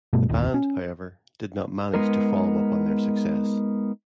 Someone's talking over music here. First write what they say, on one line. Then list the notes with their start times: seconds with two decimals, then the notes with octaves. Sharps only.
The band, however, did not manage to follow up on their success.
0.13 G2 B2 G3 A3
0.29 F1 A#1 D#2
0.54 C#4
1.94 G#3 B3 D#4 A#4